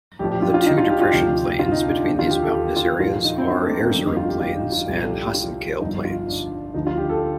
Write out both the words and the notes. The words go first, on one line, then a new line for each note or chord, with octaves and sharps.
The two depression plains between these mountainous areas are Erzurum Plains and Hasankale Plains.
A#1 A2 F3 G4
G4
F4
F4
D#4
F4
G4
F4
D2 C3 F3 G4
F4
D#4
D4
D4
D#2 D3 F3
F4
G4
A4
G4
F4
A#1 A#2 F3 F4
D#4
C4
D4
A3
A#3
C4
G1 F2 D#3 D4
D#4
F4
G4
F4
D#4
F4
C2 A#2 F3 G4
A4
G4
G4
F4
G1 G2 F3 D#4
F4
D4
D2 D3 F3 D#4
F4
G4
A4